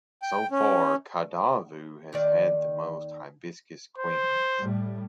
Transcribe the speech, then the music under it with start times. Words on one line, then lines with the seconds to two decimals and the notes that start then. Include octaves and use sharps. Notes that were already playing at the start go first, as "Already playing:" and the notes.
So far Kadavu has had the most Hibiscus Queens.
0.22 G5
0.51 C#4
2.13 D#2 D#3 D5
3.98 C5
4.59 A2 G3